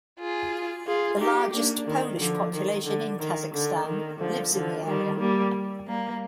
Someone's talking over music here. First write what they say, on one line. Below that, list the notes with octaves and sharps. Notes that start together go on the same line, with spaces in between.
The largest Polish population in Kazakhstan lives in the area.
F4 G#4
F4 G#4
D#4 G4
A#3 D4
D#3
D3 F3
D#3
D3
D#3
D3
D#3
D3 F3
D3 F3
D#3 G3
G3 A#3
G3 A#3